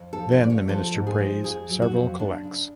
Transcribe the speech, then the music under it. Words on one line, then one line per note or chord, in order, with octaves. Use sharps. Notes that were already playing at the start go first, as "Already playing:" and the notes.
Then the minister prays several collects.
Already playing: F2
A4
F3
C#5
D3 D5
C#5
F3 A4
G#2
G#4
F3
F2 G#4
F#3
F#4
F2
F#2 D4
C#3